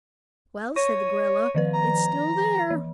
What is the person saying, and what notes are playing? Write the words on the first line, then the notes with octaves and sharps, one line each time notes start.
"Well," said the gorilla, "it's still there!"
C#5 C#6 A#6 D#7
D#3 F3 B4
A#5
E3